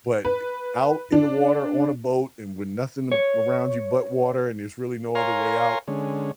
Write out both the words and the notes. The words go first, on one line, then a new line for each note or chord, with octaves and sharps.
but, eh, out in the water on a boat, and with nothing ab around you but water, and there's really no other way out,
B4
D4
C#5
A#4 C#5 F5 G#5 A#5 C6
D3 G#3 C#4